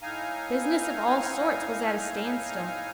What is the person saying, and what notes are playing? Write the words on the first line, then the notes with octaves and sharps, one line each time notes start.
Business of all sorts was at a standstill.
A2 D#4 F5 G#5 A#5